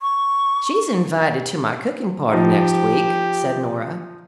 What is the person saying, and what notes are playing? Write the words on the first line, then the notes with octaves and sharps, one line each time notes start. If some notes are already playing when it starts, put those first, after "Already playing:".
"She's invited to my cooking party next week," said Nora.
C#6
F3 D#4 G4